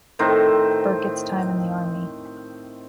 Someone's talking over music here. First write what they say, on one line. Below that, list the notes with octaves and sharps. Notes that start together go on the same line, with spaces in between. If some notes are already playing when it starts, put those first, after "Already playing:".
Burkett's time in the Army.
A2 D#3 C4